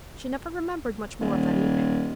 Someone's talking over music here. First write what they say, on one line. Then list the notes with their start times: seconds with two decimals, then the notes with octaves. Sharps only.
She never remembered much more of that evening.
1.21 D#1